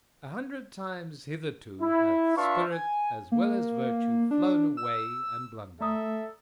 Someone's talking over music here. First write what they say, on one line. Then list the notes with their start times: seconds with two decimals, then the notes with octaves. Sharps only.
A hundred times hitherto hath spirit as well as virtue flown away and blundered.
1.82 E4
2.36 D4 F4 B4 E5 F5 C#6
2.71 G#5
3.32 A#3
4.31 D4
4.77 E6
5.81 A3 A4 D5 E5 A#5 D#6